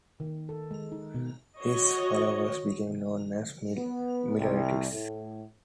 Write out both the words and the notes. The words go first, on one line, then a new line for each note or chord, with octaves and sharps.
His followers became known as Millerites.
D#3
A4
G#3
D#4
B2
F#4 C#5 D#5
B3
C2
A2